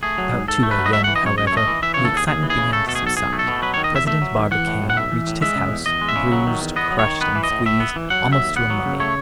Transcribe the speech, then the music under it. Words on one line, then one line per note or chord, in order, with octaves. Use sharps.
About two A.M., however, the excitement began to subside. President Barbicane reached his house, bruised, crushed, and squeezed almost to a mummy.
A3 G#4
F#3
G#2
G#2 A4
A3
B4
F#3
D#5
A3 E5
E3 F#5
D#5
F#2 C#5
F#2 D#5
C#5
A3 D#5
E3
E3 E5
C#3 C#5
A4
D#2 G#4
D#2 G#4
E3
G#4
C#3
A3 A4
B2 A4
G#4
B1 A4
B1 G#4
A3
A4
B2
F#3 B4
D#3 C#5
D#5
E2 E5
A3 E5
F#3
D#3
E3 F#5
A2
B1
F#5
B1 E5
E3
A2
G#3 E5
C#3
E2
E2 D#5
G#3
E5
C#3
F#3
D#3
E2
B3 D#5
F#3
C#5
D#3
B3 B4
E3
D#5
A2
A2 E5
B3
E3
F#3 F#5
C#3
E5
D#2
B3 F#5
F#3
C#3
A3 C#5